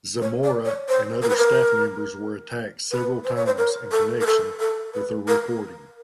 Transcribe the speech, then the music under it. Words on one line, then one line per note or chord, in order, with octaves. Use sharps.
Zamora and other staff members were attacked several times in connection with their reporting.
C#5
D5
C#5
C5
A#4
B4
A#4
B4
C5
C#5
C5
A#4
A4
A#4
A4
A4
B4
A#4